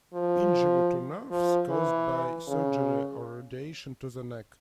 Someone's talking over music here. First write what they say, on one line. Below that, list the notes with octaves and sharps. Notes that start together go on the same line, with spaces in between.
Injury to nerves caused by surgery or radiation to the neck.
F3
F3
E3
C#3